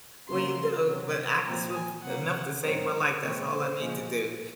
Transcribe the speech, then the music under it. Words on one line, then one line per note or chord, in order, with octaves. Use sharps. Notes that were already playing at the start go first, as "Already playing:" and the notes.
We don't, but I could swim f enough to save my life, that's all I need to do.
F2 C#3 F#3 A#3 C6
C3 F#3 C4
A#2 F3 C4 A#5
G#5
C3 F#3 A#3 F#5
G#2 D#3 F#3 C4
A#2 G#3 C4 C#5
C5
A#2 F3 G#3